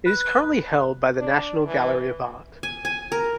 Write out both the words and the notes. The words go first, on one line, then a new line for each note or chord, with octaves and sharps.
It is currently held by the National Gallery of Art.
B4
D4
E3
G#5
G#5
A#4